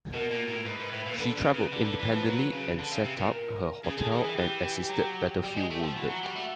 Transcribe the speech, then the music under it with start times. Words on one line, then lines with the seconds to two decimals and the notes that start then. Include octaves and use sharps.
She travelled independently and set up her hotel and assisted battlefield wounded.
0.13 B2 A#4
0.31 A#2
0.48 A2
0.66 G#2 B4
0.80 G#2
0.92 A2
1.06 A#2
1.19 D3 B4
1.38 C#3
1.54 C#3
1.73 D3
1.85 D3
1.99 E3
2.12 F3
2.25 F#3
2.52 C#3
2.78 D3
2.92 C#3
3.04 C3
3.18 A#2
3.31 A#4
3.84 C#3 G#4
3.98 D3
4.11 D#3
4.24 E3
4.37 E3 G4
4.90 F#3
5.43 G3 G4
5.57 G#3
5.70 A3
5.84 F3
5.96 E3 F#4
6.09 F#3
6.23 G3
6.36 A3